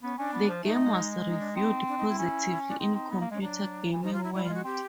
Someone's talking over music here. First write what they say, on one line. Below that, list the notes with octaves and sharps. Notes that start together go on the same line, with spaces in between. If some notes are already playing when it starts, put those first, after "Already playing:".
The game was reviewed positively in "Computer Gaming World".
B3 C#4
C#4 D4
B3
F3
A3 D#4
A3
G#3
D#4
D4
C4 D#4
D4
D#4
E4
C#4
D4
C4 D#4
C4
B3
A#3
G#3 C#4
F#3 D4
E3
F3 D#4
F4
F#3
E4
G3 E4
F4
G#3
F#4
C4 G4